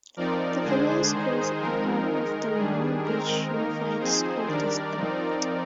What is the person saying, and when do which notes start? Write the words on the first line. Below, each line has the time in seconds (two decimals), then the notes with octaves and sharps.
The following schools are part of the Long Beach Unified School District.
0.17 F3 C4 D#4 A#4 D5
0.64 D3 G#3 D4 G#4 C5
1.12 D#3 G#3 D#4
1.60 F3 G#3 C4 D#4 A#4
2.08 D#3 G#3 D#4
2.55 D#3 G3 D4 G#4
3.03 D#3 G#3 C4 A#4
3.52 D#3 A#3 D#4
3.99 F3 C4 D#4 G#4 C5
4.47 D#3 G3 D4 A#4 D5
4.96 F3 C4 D#4